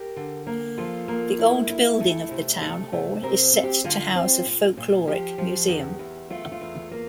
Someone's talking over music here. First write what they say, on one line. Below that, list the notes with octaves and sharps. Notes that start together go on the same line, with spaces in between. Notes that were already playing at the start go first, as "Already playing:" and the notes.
The old building of the town hall is set to house a Folkloric Museum.
Already playing: G4 A#4
D3
A#3
F3 F4 A4
A#3
E4
E4
A3
C3
A3
C3
C4 G4 A#4
C4
G4
D3 F4
C4
A#2
A#2
F3 G4
F3
E2
E2
A3 F4
F4
E2
A#3